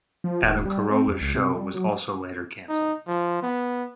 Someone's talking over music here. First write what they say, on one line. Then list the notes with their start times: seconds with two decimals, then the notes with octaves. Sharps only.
Adam Carolla's show was also later canceled.
0.24 F3
0.43 D#1
0.65 G3
0.90 C4
1.08 F2
1.21 C#2
1.35 C3
1.55 G3
1.74 F#3
2.69 D#4
3.07 F3
3.42 B3